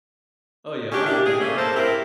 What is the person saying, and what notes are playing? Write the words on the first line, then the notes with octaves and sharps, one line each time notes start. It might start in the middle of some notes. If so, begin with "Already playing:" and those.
Oh, yeah, but I know who you're talking about.
C#4 D4 G4
A#3 D4 E4 G4
G#4
C#3 A3 A#3 C#4
A4 A#4 C5
C4 E4 G4 A#4